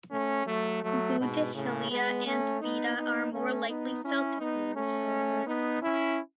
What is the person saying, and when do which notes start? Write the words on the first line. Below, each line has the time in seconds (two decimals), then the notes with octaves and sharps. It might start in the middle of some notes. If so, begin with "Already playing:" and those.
Boudihillia and Beda are more likely Celtic names however.
0.11 A3 C#4
0.47 F#3 A3
0.84 F#3 A3
1.18 G#2 B2
1.54 A2 C#3
1.90 G#3 B3
2.26 A3 C#4
2.61 B3 D#4
2.96 B3 D#4
3.32 A3 C#4
3.68 B3 D#4
4.04 C#4 E4
4.39 B3 D#4
4.75 A3 C#4
5.46 B3 D#4
5.82 C#4 E4